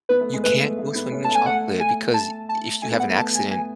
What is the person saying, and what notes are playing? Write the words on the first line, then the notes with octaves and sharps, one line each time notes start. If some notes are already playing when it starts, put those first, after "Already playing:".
You can't go swimming in chocolate because if you have an accident,
B3 B4
A3
G#3
A3 B4
A3
B3
C#4
A3 A5
G#5
A3 F#5
G#5
A5
A5
A3 G#5
B3
A3 F#5
A5
G#5
G#5